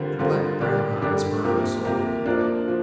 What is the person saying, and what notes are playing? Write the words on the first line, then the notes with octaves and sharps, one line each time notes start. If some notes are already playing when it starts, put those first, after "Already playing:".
The black-brown eyes burned soulfully.
Already playing: D3 G3 C4 F4 A#4
D3 G3 C4 F4 A#4
D3 G3 D4 G4 A#4
D3 G3 D4 G4 A#4
C3 F3 A#3 G4 A#4
C3 F3 A#3 G4 A#4
F3 A#3 D4
F3